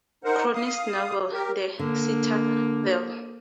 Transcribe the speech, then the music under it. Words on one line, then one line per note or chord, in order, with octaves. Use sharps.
Cronin's novel, "The Citadel".
D#4 A#4 C5 F#5
F5 D#6
G4 A#4
D3 A#3